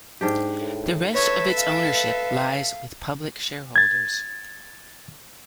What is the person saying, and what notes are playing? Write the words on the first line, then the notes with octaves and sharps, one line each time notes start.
The rest of its ownership lies with public shareholders.
G#2 D4 G4
A2
A4 B4 C#5 E5
F5
G#6 A6